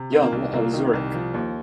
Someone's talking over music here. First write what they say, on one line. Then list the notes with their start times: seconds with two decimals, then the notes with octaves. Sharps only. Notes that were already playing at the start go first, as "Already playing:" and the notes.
Jung of Zurich.
Already playing: C3
0.12 D#3 C4
0.22 A#3
0.32 C2
0.53 C2 A#3
0.74 D#3
0.93 C2
1.14 F3
1.34 D#2